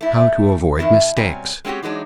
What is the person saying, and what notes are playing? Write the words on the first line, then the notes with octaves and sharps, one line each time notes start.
How to Avoid Mistakes.
A3 E4
F#2 D#3 E3 E4
B2
B2 F#3 G3 C4 G#5 A#5
G#3 C4 C#4 F#4 G4
E3 F#3 G#3 D4 D#4